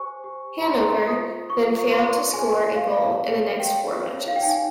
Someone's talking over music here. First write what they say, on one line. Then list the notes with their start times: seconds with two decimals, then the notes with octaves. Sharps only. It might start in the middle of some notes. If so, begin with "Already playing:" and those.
Hannover then failed to score a goal in their next four matches.
Already playing: G4 C5 G#5 C#6
0.24 G4
0.62 A#5
0.66 C5 C6
1.08 F4 D#6
1.50 F4 C#6
1.91 C#5 C6
2.33 G#4 G#5
2.75 G4 F5
3.17 C#5
3.59 G4 G5
4.01 C#5
4.28 F5
4.36 G5
4.42 D#4 G#5